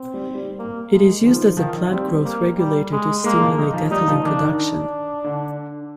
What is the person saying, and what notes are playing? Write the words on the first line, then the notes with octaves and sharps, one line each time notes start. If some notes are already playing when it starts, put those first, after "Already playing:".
It is used as a plant growth regulator to stimulate ethylene production.
Already playing: C4
G3
G3
A#3
G#3
D#3 F3
D#3 F3
G3 C4
A#3
G3
G#3
G#3 A#3
F3
D#3 D#4
F3
G3 D#4
F3
D#3 D4
D#3
D4
D3